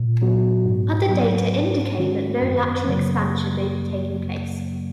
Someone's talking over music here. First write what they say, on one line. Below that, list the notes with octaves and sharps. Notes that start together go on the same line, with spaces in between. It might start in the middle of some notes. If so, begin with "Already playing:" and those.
Other data indicate that no lateral expansion may be taking place.
Already playing: A#2
F#3 B3 F#4
G#2
F#3 B3
G#2
D#3 G#3 C#4 F#4
F#2
C#3 F#3 A#3